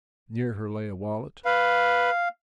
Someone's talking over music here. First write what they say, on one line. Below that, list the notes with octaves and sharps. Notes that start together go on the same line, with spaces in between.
Near her lay a wallet.
B4 F5